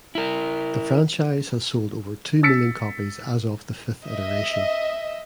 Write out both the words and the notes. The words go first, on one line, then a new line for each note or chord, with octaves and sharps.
The franchise has sold over two million copies as of the fifth iteration.
E4 A#4
E6 A6 B6 C#7
D#5 E5